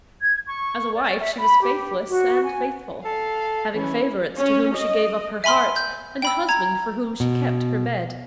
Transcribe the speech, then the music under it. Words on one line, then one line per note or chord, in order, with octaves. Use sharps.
As a wife she was faithless and faithful, having favourites to whom she gave up her heart, and a husband for whom she kept her bed.
G#6
C#6
D5
E5
B5
G4
F#4
G#5
A4 F5
E3 C#4 E4
C#4
D#5
E5 G#5 B5 C6 F6
G6
G5 B5 E6
A#5 G#6
B2